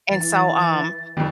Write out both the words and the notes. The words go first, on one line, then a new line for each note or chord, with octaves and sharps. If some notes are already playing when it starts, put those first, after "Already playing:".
and so, um
E3 A6
C2 F2 D#3